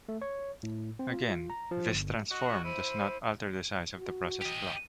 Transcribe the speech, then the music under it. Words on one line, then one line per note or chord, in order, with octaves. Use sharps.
Again, this transform does not alter the size of the processed block.
A3
C#5
A2
C4
F4
A#5
F3
G1
F#4 D#5 C#6
E4 C5 D#7
F#4
G4 D#5